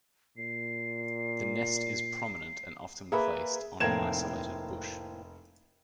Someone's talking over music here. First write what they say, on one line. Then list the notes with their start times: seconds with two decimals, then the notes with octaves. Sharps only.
The nest is prominent and often placed on an isolated bush.
0.38 A#2 C7
3.12 A#3 G#4 B4 E5 B5
3.80 F1 A2 A#3 C4 G#6 E7